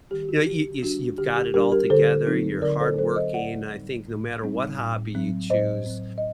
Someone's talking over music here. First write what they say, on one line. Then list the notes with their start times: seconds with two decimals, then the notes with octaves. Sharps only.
You know, you you s you've got it all together, you're hardworking, I think no matter what hobby you choose,
0.10 D#3 G3 G4
0.23 G4
0.29 F#4
0.46 D3 G4
0.83 G3 D4 F#4
1.18 D3 G4
1.37 G4
1.54 G3 D4 G4 A#4
1.72 G4 A#4
1.90 D3 A4 C5
2.27 F#3 C4 D#4
2.62 D3 A#4 D5
2.80 A4 C5
2.98 F#3 C4 D#4 A4 C5
3.16 C5 D#5
3.34 A2 D5 F#5
3.70 G3 C4 D#4
4.07 A2
4.42 G3 C4 D#4
4.79 A2
5.15 F#3 C4
5.50 A2 C5 D#5
5.86 F#3 C4
6.18 D#5